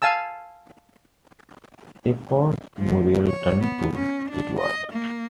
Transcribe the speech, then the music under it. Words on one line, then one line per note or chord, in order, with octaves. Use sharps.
A pause — Muriel turned to Edward.
F5 G#5 A5 E6
F3
C#5
B3
C#4
D4
D#5
A#3